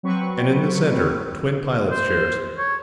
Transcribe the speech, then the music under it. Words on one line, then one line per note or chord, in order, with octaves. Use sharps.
And in the center, twin pilot's chairs.
F#3 C4 B4 C#6
C5
C#5